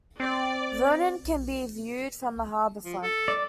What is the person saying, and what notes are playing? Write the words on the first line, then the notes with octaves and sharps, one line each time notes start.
Vernon, can be viewed from the harbor front.
C4 D5
F3
A4
D5